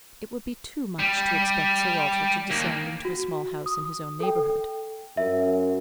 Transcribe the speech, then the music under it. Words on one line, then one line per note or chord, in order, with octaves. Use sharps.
It would be too much to expect Sir Walter to descend into a small house in his own neighbourhood.
G3
D#2 A#3
F#4
D#6
A4 G5
F#2 E5